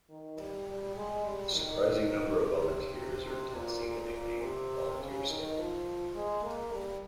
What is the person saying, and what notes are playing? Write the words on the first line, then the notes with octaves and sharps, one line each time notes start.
The surprising number of volunteers earned Tennessee the nickname, Volunteer State.
D#3
G3
G3
G#3
G3
D#3
D#3
C3
C3
C3
A#2
A#2
A#2
C3
C#3
D#3
F3
G#3
A#3
G3